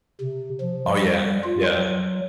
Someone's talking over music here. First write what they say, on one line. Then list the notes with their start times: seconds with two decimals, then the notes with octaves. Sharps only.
Oh, yeah. Yeah.
0.21 C3
0.60 F3
0.96 G3
1.44 F4
1.76 F#3